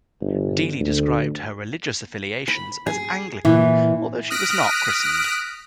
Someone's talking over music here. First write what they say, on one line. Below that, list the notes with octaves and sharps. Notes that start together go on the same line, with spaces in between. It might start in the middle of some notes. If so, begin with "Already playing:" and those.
Deeley describes her religious affiliation as Anglican, although she was not christened.
G1
D2
B5
G#4
A#2 E3
D#6 F6 F#6 A#6 B6 D7